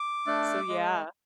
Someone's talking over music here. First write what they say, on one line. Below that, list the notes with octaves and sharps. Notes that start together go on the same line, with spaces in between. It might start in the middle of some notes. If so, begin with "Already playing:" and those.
So, yeah.
Already playing: D6
A3 D4
G#3